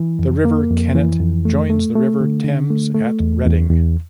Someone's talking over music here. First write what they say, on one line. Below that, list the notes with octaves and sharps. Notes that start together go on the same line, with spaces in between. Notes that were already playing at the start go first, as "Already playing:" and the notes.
The River Kennet joins the River Thames at Reading.
Already playing: E3
F2
A#3
F2
E3
F2
A3
A3
A3
D3
D3
A3
A3
E2
E2
E2